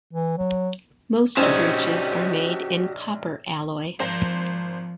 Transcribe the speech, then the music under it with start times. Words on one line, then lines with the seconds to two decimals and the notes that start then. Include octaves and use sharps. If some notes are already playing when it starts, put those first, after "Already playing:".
Most brooches are made in copper alloy.
0.13 E3
0.38 F#3
1.37 A#1 C4 C#4 D#4 F#4 G4 D#5 E7
3.99 G#1 F3 C5 A#6